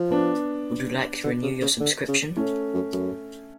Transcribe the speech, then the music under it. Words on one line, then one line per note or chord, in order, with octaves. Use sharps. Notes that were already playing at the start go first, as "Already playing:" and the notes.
Would you like to renew your subscription?
Already playing: F3
B3 D4
D3
C#3
C#3
D3
C#3
A2 A3 C#4
F#2
F#2